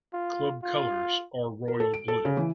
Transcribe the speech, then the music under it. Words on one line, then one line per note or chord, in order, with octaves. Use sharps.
Club colours are royal blue.
F4
F4
A#4
A4
D7
A4
C#3
E3